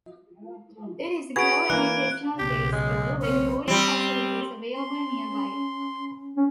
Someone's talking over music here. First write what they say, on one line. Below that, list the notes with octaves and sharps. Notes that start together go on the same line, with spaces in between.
It is a co-educational day school with boarding facilities available nearby.
F#4 G#4 B4 G#6 D7
E3 A#3 F#6
B1 C#3 G4
G#3
C4 C#4
G3 C4
C#4 C6
C#4